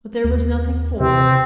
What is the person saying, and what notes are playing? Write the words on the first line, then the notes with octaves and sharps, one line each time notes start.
But there was nothing for it.
D#2
C3 C4